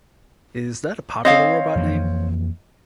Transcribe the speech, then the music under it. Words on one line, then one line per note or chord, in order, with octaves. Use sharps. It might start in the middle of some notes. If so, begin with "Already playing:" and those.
Is that a popular robot name?
C4 C#5 D#5 F5
F2 E3 A#3